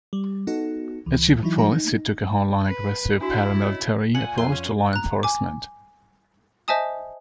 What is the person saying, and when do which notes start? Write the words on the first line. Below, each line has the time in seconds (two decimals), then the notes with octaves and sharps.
As chief of police, he took a hardline, aggressive, paramilitary approach to law enforcement.
0.13 G3
0.47 B3 D#4 F#4 A4
1.06 C#2 E3
1.43 E3 F#3 D#4 E4
1.58 F3 G3 D#4 F#4
1.71 D#4
2.66 B4
3.21 D4 E4 F#4
3.62 C#5 D#5
4.14 A#2 F#5 G#5
4.38 F2 A3 F4 F5 C6
4.51 C#4
4.93 A#5 F#6
5.23 G#5 D6
6.68 C5 D#5 E5 G#5 A5 D#6